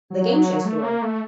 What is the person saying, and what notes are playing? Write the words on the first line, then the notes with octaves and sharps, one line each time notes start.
The Game Show Story.
F#3
A3
A#3
A3